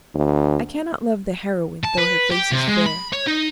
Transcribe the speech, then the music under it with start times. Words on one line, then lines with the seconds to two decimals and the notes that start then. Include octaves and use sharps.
I cannot love the heroine, though her face is fair.
0.15 D2
1.85 A5
1.99 B4
2.31 G4
2.52 C3
2.68 G#3
2.86 B5
3.13 C#5
3.27 D#4